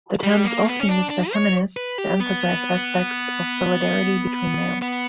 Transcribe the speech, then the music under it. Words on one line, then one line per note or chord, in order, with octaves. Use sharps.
The term is often used by feminists to emphasize aspects of solidarity between males.
G3
A#3
B3
C#4
D4
D4
C#5
B4
G4
B3
B3